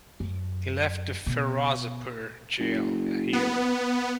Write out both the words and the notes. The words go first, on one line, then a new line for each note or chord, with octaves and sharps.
He left the Ferozepur jail a hero.
F#2
B2
F#1
B3